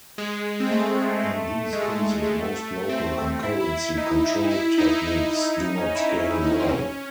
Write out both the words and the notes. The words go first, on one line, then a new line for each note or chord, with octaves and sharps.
In these cases most local concurrency control techniques do not scale well.
G#3
C4
A3
G#3
A3
C4
E4
E4
D#4
E4
D#4
E4
D#4
C#4
E4
D#4
D#4
C4
C#4